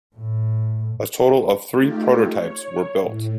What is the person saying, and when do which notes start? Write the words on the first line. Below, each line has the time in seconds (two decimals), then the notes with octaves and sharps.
A total of three prototypes were built.
0.16 A2
1.73 A3 D#4 F4 G4
2.30 C#5
3.02 A2